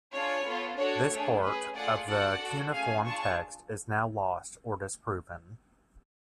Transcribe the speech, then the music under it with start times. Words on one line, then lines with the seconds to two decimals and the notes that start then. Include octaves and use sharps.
This part of the cuneiform text is now lost or disproven.
0.14 D4 F4 G#4 C#5
0.45 B3 F4 A4
0.78 D4 F#4 A4 C#5
1.11 A3 D4 G#4
1.43 C#4 G#4 B4
1.75 A3 F4 G#4 D5 F#5
2.08 D4 F#4 A4 D5 F#5
2.41 D4 F#4 A4
2.73 A3 C#4 G#4 F5 G#5
3.05 D4 F4 G#4 A5 C#6